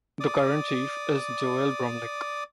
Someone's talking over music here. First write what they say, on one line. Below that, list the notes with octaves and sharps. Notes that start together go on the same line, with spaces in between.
The current Chief is Joel Brumlik.
D5 D6 D#6